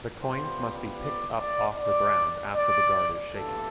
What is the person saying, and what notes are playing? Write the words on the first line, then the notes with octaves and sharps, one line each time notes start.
The coins must be picked up off the ground after the guard is shaken.
C3 G3 B3 F4 C5
D5
D5
D5
D5
G2 E3 A3 D4 F4 A4